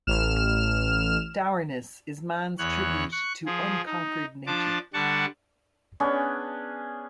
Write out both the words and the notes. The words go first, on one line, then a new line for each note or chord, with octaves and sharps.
Dourness is man’s tribute to unconquered nature.
A1 F6 E7
E2 C#5 F#6
C#6 F#6
F3 G#4
D#4
F3 D4 A5 D6
D3 G3 D5 F#5 A5 C#6
B3 C#4 D4 G#4